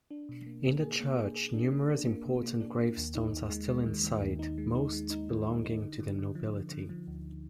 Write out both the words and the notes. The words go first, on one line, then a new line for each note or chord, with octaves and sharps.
In the church numerous important gravestones are still inside, most belonging to the nobility.
D4
B2
A#3
A#3
G#4
A#3
G#4
G#4
D4
A#3
D4
A#3
B2
A#3
D4
A#3
D#2
D#4
D#2
G#3
G#3
D#3
D#3
D#2
D#4
G#3
D#4
G#3
D#4
D#3
D#4
D#4
D3
D3
D3
F3
D3
D3
F3
D2